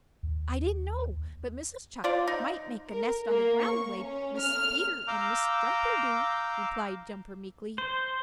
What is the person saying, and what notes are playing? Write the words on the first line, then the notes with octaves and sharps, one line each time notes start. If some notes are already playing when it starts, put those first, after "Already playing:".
"I didn't know but Mrs. Chuck might make a nest on the ground the way Mrs. Peter and Mrs. Jumper do," replied Jumper meekly.
D#2
F4 C5 D5
D#4
A#4
A#3
C#6
C#4
F6
F5 A#5 D6 E6 G6
C5